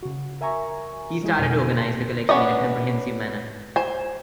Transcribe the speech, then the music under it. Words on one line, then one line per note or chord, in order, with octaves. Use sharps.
He started to organize the collection in a comprehensive manner.
C#3 F#4
A#4 E5 G#5 A#5 C#6
F#3 G#3 E4 G#4
F2 B2 D3 G#5 D#7
A5 C6 A#6
B3 C#4 D4 D#5
C5 G#5